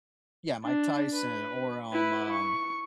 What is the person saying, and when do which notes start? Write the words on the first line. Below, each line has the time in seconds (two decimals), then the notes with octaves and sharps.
Yeah, Mike Tyson or, um, um
0.64 D4
1.14 B4
1.93 E4 B4
2.32 C#6